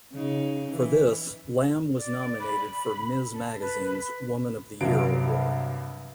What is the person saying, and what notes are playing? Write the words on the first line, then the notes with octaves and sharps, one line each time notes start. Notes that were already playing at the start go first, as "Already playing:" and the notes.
For this, Lamm was nominated for "Ms." magazine's "Woman Of The Year" award.
C#3 D#4
E3
D5
B5
A5
B4
C2 G2 F#3 F5 D7